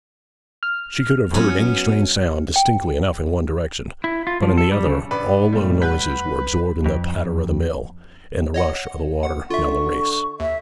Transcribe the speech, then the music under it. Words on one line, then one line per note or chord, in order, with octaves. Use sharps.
She could have heard any strange sound distinctly enough in one direction; but in the other all low noises were absorbed in the patter of the mill, and the rush of water down the race.
F6
F#3 B3 C#4 F#4
G5
E4
F4
F3
A4
G3
C#3
A#1 B4 D5
B1 A2 G3 A3
B4 F#5 G6
F2
C#5 D#5 F#5
F#5
D3 F4 E5 C#6
D#2 E5